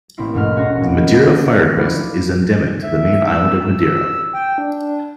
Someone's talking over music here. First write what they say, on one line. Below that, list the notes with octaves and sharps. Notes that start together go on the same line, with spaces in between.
The Madeira firecrest is endemic to the main island of Madeira.
A1 A#3 C4 E4 C7
E1 A#1 G#2 A3 D#4 F6
A#2 C#4 F#4 A#5 C#6 C7
A#2 F#3 A#3 B3 D#4
F3 A3 D4 E4
E5
E6
G5
D4